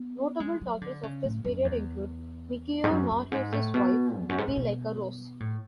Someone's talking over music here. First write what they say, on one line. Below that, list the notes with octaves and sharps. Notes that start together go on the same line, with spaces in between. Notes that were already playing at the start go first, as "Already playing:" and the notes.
Notable talkies of this period include Mikio Naruse's Wife, Be Like A Rose!
Already playing: B3
G#3
F#3
D3
C#3
A2
F#2
E2
G#2
F#2
F#2
G#2
A2
B2
E2
F#2
G#2
A2
B2
A2